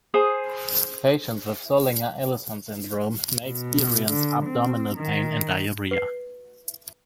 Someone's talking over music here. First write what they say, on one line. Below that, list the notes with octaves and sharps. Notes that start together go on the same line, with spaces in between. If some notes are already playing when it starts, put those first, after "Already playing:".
Patients with Zollinger-Ellison syndrome may experience abdominal pain and diarrhea.
G#4 C5 D#6
B2
D3
C4
D#3
B4 C7